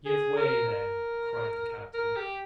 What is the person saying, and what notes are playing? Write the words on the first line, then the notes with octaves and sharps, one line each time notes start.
"Give way, then," cried the captain.
G#4
A#4
A#4
A#4
G4